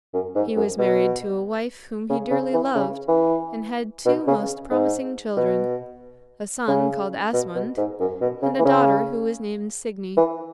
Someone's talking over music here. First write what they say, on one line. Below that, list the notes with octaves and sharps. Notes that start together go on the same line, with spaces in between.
He was married to a wife whom he dearly loved, and had two most promising children--a son called Asmund, and a daughter who was named Signy.
F#2
G#2
F#2
B2
C#3
C#3
E3
C#3
E3
B2
C#3
G#2
B2
C#3
B2
B2
G#2
F#2
B2
C#3
E3
C#3
E3